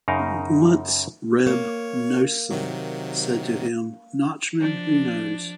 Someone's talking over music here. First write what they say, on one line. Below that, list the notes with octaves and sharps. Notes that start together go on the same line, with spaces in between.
Once Reb Noson said to him, Nachman, who knows?
F#2 C#3 D#4 A#4 F5
A#3 C#5
C3 D#3 F#3
F3 D4